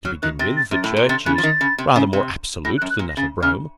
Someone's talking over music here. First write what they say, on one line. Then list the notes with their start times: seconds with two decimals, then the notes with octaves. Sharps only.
To begin with, the Church is rather more absolute than that of Rome.
0.05 F#3 F6
0.22 D#3 F#6
0.39 C3 A6
0.57 A6
0.71 F#2 A6
0.84 A2
0.97 A#2
1.09 C3 A6
1.25 C#3 F#6
1.35 F3 A6
1.43 D#3
1.61 C#3
1.78 C3
1.96 C#3
2.13 C3
2.65 A2 A#6
2.78 F#6
2.82 F#2
2.90 F#6
2.99 A#2
3.09 A#6
3.17 C#3 A6
3.42 C#3 F6